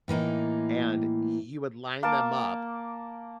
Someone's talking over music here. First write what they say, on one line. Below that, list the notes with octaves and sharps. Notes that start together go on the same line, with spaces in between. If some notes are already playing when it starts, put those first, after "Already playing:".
and you would line them up,
A2 E3 A#3 D#4
A#3 A5 D6